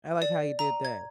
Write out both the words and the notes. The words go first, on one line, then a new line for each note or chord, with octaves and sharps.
I like how he did that.
D5
A#5
G#6